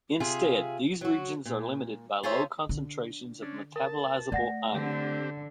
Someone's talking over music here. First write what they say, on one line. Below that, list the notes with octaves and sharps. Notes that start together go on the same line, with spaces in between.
Instead, these regions are limited by low concentrations of metabolizable iron.
C3 F4 G#4 E5
F#3 F#4
A#2
F4 G#4 C5 C#5 E5
D3
C#4 D4
A#4 A5
A3 D5 F#5 A#6
D3 C4 G4